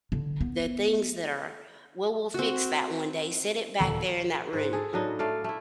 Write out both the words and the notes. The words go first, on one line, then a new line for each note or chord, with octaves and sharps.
the things that are, "Well, we'll fix that one day," set it back there in that room.
D3
B3
C4 F#4
D#1 A4 F#7
G#2 F#5
G#4 A4
A2 F#3 D4 D#4
A3 D5 F5
A3 E4